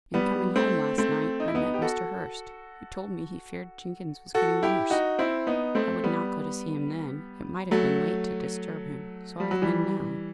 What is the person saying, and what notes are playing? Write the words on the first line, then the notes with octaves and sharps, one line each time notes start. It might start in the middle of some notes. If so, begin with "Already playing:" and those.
"In coming home last night, I met Mr. Hurst, who told me he feared Jenkins was getting worse. I would not go to see him then; it might have been late to disturb him, so I have been now."
G3 B3
A3 C4
A3 C4
D#4
E4
B3 D#4
G4
F#4 A4
F#4 A4
E4 G4
D#4 F#4
C4 E4
B3 D#4
A3 C4
G3 B3
F#3 A3
G3
F#3
E3 G3